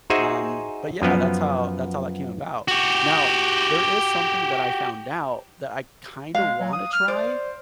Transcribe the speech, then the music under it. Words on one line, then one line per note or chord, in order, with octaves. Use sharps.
um but, yeah, that's how that's how that came about. Now there is something that I found out that I kinda wanna try,
D#4 F#4 G#4 C5 E5 G#5
F#2 F3 B3
F#4 G4
G#3 F5
F#3
D#6
F6
C5 D5